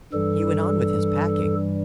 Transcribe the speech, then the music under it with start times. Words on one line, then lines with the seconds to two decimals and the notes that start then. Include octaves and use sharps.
He went on with his packing.
0.13 G2 E3 G3 A4